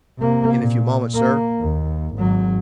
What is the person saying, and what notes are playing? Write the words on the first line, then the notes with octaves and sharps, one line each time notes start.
"In a few moments, sir."
C3 A#3
A#2
A#3
D#2
G#1 F#3